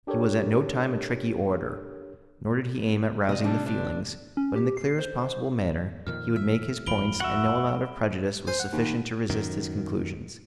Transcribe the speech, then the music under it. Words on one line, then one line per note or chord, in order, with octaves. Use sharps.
He was at no time a tricky orator, nor did he aim at rousing the feelings, but in the clearest possible manner he would make his points and no amount of prejudice was sufficient to resist his conclusions.
D4 G4 A4 A#4 C#5
C3 D5 D#5
G3 D4
D4
C#4
G4
C7
C5
F2 A#2 D#3 F6
E5
F#1 E2 F3 B5 D7 G7
F#4 E5 F#5
C5 G#5
F#5
D#2
F#2 D#3